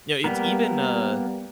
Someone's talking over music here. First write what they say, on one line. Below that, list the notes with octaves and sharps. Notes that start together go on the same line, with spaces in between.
you know, it's even, uh
G3 A#3 B3 A#4